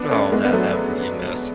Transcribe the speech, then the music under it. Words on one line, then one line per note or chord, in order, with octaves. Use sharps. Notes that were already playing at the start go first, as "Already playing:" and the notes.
Oh, that that would be a mess.
Already playing: B3 D4
A3 C#4
G#3 B3
B3
F#3 A3